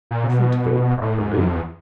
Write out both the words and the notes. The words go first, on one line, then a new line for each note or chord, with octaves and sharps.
Doesn't go properly.
A#2
B2
A2
G#2
F#2
F2
E2